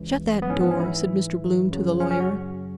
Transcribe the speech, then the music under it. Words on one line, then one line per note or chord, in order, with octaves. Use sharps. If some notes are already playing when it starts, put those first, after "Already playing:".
"Shut that door," said Mr. Bloom to the lawyer.
Already playing: C#2 C#3 E3
B3
G#2 E3 C#4
B3
C#4
E4
F#2 C#3 F#3
C#4
C#4
F#4